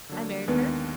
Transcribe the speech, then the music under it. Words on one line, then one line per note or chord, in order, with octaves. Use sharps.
I married her.
D3 F#3 A#3 D4
D#2 D#3 G#3 B3 D4 B4